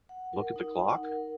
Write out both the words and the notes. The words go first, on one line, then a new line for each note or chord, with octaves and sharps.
Look at the clock?
F#5
A#4
D#4
F#5
A#4